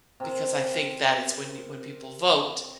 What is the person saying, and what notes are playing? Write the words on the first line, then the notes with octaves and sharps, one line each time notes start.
because I think that it's when you when people vote,
C3 A#4